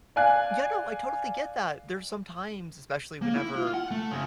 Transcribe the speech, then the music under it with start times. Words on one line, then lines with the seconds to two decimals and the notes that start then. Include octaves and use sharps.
Yeah, no. I totally get that. There's some times, especially whenever
0.16 D5 F5 G#5 F#6
3.22 A#3
3.36 E4
3.56 F4
3.74 F#5
3.91 A3
4.11 F#2 C#3